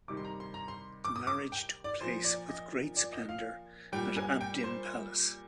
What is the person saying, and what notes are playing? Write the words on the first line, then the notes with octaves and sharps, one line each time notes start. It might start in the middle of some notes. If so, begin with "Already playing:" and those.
The marriage took place with great splendour at Abdin Palace.
C3 D#3 G3 D6
C6
A#5
C6
A#5
C6
D6
D#6
D6
G5
D5
A#2 F3 C5
D5
D#5
D5
D#5
F5
A#2 G3 G5
G#5
G5
C5